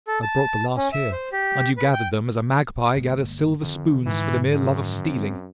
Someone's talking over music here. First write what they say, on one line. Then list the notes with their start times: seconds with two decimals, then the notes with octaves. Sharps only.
I brought the last here--and you gathered them, as a magpie gathers silver spoons, for the mere love of stealing!
0.08 A4
0.22 A5
0.77 C#4
0.92 E5
1.12 C5
1.32 G4
1.77 B4
1.93 G5
2.96 G1 G#3 A#3
3.62 F2 D3 D#3 F3
4.06 G#2 E3
4.53 F#2
5.05 C4